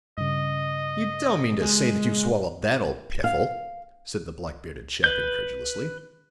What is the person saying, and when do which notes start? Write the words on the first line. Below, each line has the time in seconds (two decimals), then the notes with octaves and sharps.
"You don't mean to say that you've swallowed that old piffle!" said the black-bearded chap incredulously.
0.18 G2 C#3 D#5
1.62 G#3
3.24 F5
5.04 B4 G6